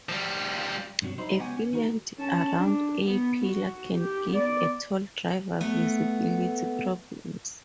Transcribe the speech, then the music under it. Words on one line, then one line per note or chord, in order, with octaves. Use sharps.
A fillet round A-pillar can give a tall driver visibility problems.
F3 G3
G2 C3 F3 F#3
F#3 D#4 E4 C5
C#2 B3 C#4 G4 F#5 G#5
C#4
D#3 D#4 F#4 A#4
C#4 A5
D4
B3
F#4
G4
B3 D5
A3 B3